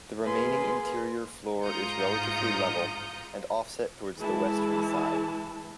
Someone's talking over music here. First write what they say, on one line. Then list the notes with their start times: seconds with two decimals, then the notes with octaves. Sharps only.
The remaining interior floor is relatively level, and offset toward the western side.
0.24 A#3 G#4 B4 C6
1.63 G#2 F4 A#5 D#6 G6 C#7
4.18 E3 G#3 E4 A5